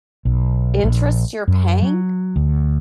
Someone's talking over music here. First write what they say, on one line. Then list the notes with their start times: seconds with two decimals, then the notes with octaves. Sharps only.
interest you're paying
0.25 B1
0.84 A#1
1.48 F#2
1.82 F#3
2.36 D2